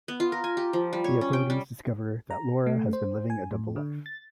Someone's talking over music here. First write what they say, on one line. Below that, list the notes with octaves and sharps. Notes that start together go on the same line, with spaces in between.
The authorities discover that Laura has been living a double life.
B3
F4
A#4
G#5
G4
F3
G3
C#5
C#4
G5
G3
A#5
A3
C5
G#5
A2
D3
A6